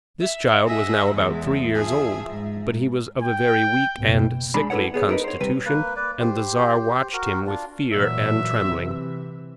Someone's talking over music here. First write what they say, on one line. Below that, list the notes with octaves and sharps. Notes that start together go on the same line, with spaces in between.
This child was now about three years old, but he was of a very weak and sickly constitution, and the Czar watched him with fear and trembling.
E5
G#4 D#5 E5 F#5
E2 G#3 E5
F3 G#4
G#2
G5
F#1 B2
G#3 D4 B5
E4 A4 B4 C#5 F#5
B3 G#4 C#5
D#4 A#4 B4 D#5
C5 C#5
C3 G3 B4
A#3 B4
B4 D5
G4 C5
F#4 A#4
D4 F4
A#2 E3 F#3 E5
C3 E3